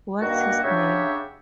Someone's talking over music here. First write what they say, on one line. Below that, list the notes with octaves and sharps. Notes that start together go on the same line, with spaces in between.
What's his name?
G2 D#3 A#3 F#4
C#3 F#3 D4 G4 C#5 E5